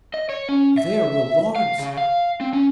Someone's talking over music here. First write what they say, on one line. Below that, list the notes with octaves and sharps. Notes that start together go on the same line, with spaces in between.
There were lords!
D#5
C#5
C#4
E5
F5
C#3
F5
C4
C#4